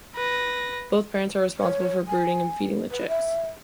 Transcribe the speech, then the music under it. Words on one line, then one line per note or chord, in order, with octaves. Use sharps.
Both parents are responsible for brooding and feeding the chicks.
B4 A#6
C#5
G#5
B4
E5